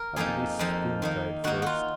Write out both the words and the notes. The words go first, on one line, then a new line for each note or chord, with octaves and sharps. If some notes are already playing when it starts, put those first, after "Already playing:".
Have to be spoonfed first.
Already playing: A#4
F2 F3 A#3 D#4 G#4
F2 F3 A#3 D#4
D#3 A#3 D#4
D#3 A#3 D#4 F#4
F4 F#4